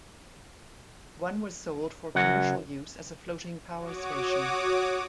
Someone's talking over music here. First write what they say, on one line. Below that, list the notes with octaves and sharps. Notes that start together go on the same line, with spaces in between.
One was sold for commercial use as a floating power station.
F#2 C#3 F#3 F#5
F#4 C#5 D6 D#6